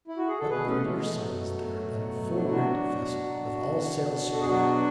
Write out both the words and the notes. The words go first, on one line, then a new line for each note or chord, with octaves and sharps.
What prettier sight is there than a full-rigged vessel with all sails spread!
E4
F#4
G#4
A4
B2 G#4 B4
A3 C#4
B2 G#3
A3
F#3
F#3
B2
F#3
D4
E4
F#3 D4 F#4
B2
B2
B2
B2
B2
A4
G#4
F#3 D4 F#4